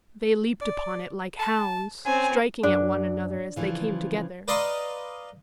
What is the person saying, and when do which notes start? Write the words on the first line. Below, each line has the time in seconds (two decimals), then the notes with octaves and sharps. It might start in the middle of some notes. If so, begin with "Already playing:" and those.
They leaped upon it like hounds, striking at one another as they came together.
0.61 D5
1.39 A5
2.06 C4 C#4 G#5
2.63 F#2 D4
3.56 C#3 E3 F3
4.48 B4 D5 D#5 F5 A#5 C6